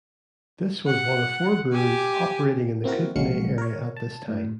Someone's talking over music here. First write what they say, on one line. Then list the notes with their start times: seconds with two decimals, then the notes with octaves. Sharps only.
This was one of four breweries operating in the Kootenay area at this time.
0.86 F#5
1.73 G4 G#5
2.84 A#3 C4 E4 F#4 A#4
3.16 A#1 F#3 G#3 F#4 F5 C#7
3.58 A#4 C#5
3.97 A5
4.28 A2